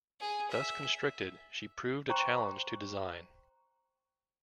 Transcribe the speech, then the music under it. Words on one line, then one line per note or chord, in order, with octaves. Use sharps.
Thus constricted, she proved a challenge to design.
G#4
E5
C5 G5 A#5 C6 C#6